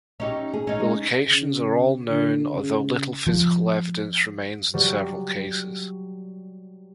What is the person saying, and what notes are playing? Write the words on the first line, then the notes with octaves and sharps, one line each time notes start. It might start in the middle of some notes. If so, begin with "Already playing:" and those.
The locations are all known although little physical evidence remains in several cases.
C#4 D#4 G4
G#4
C#4 D#4
G#3
C#3
D3
C#3
F3
F#3 G3